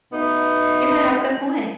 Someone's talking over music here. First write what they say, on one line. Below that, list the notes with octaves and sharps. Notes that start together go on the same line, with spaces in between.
You might have a good point.
B2 A3 B3 D#4